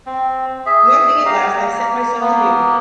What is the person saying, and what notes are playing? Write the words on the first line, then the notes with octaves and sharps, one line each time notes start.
One thing at last I set myself to do.
C4
G#4 E5
G4 F5 A#5
A#3
A#3 B3